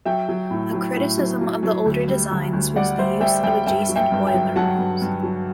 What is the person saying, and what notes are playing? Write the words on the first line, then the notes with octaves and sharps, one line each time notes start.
A criticism of the older designs was the use of adjacent boiler rooms.
F#3 E5 G5
F#3
A2
F#3
A2
F#3
F#3
F#3
D2
G3
D2
D2
G3 D5 F#5
G3 C5 E5
G3 E5 G5
G3 E5 G5
G2 E5 G5
F#3
E5 G5
G2
E5 G5
F#3
F#3 F#5 A5
G2
G2
F#3